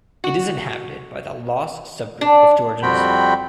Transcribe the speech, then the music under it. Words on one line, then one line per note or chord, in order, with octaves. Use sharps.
It is inhabited by the Laz subgroup of Georgians.
F#4
D4
F2 G3 C4 F#4 G5 B5